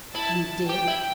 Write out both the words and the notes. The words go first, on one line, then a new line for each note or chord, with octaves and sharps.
"You did!"
E4 A5
G4 G5
E4